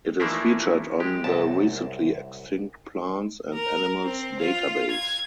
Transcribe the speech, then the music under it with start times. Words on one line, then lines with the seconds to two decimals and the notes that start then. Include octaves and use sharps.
It is featured on The Recently Extinct Plants and Animals Database.
0.20 E3 F3 A3 A#3 D4 E4
1.00 G#3 G4
1.24 C2 F#2 A5
3.54 A#4
4.04 C4
4.39 F4
4.90 G#6